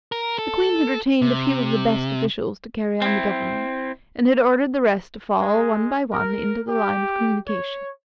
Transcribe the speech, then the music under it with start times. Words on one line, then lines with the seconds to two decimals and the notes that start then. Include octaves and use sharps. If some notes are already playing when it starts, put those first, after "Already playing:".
The Queen had retained a few of the best officials to carry on the government, and had ordered the rest to fall, one by one, into the line of communication.
0.12 A#4
0.39 A4
1.22 C3
3.02 C4 E4
5.40 G#3
6.12 A#4
6.66 G4
7.47 C#5